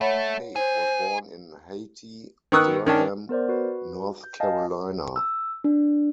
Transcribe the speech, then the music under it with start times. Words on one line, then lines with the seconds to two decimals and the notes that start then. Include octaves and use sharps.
Tate was born in Hayti, Durham, North Carolina.
0.01 A3 C#5 F#5 B5
0.56 G#4 C5
2.52 D#3 B3 C#6 D#6 E6 F#6
2.87 D#3 C#4 D4
3.29 B3 A#4 C5 D5
3.49 F#4 B4
4.24 G6
4.40 D#5 F5 G#5 A5
5.16 E6
5.64 D4